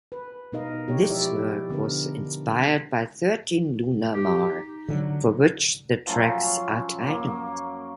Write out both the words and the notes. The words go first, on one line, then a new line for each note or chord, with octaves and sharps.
This work was inspired by thirteen lunar mare for which the tracks are titled.
B4
B2 B3 D#4 A#4 D#5 F5
G4 C#5
F3 G#3 E4 G4 D5 E5
D3 B3 D4 A#4
G4
D#4
D3 E3 F#3
F3 F#3 A3 C#4
F#2 A#3